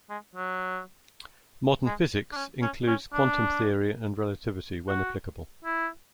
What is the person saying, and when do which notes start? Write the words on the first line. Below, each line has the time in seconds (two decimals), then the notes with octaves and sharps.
Modern physics includes quantum theory and relativity, when applicable.
0.10 G#3
0.35 F#3
1.86 G#3
2.33 D4
2.36 C#4
2.62 C#4
2.87 C#4
3.13 D4
4.88 F#4
5.65 E4